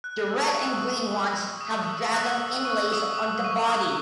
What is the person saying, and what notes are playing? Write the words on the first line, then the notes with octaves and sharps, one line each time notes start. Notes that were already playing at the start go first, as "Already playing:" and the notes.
The red and green ones have dragon inlays on the body.
F#6
F#6
E6
D#6
C#6
D#6
D#6
E6
F#6
E6
C#6
D#6
D#6
C#6
D#6